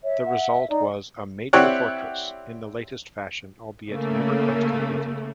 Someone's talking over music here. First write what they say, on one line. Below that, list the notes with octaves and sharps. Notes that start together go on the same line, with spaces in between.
The result was a "major fortress in the latest fashion", albeit never quite completed.
C#5 E5
F#5
D#4 D5
C4 E4 G4 C#5 D5 F#5
C#3 A3 A#3